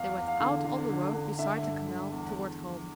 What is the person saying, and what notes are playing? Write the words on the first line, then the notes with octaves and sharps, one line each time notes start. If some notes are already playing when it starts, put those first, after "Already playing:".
They went out on the road beside the canal toward home.
Already playing: E2 F5
E2
F5
D3
D3
D3
D3
D3 E5
G2
D3
E2